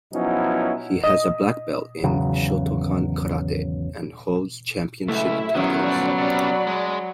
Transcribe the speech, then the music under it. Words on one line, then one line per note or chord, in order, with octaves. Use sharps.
He has a black belt in Shotokan karate and holds championship titles.
F3 F#3 B3 C#4 D#4 E4
D#5
G#1 E2 C#3 F#3
C#2 F#2 A2 A3 E4 E5
D#3 F#3 B3 C#4
D2 F3 D5 B5
C3 G3
G#3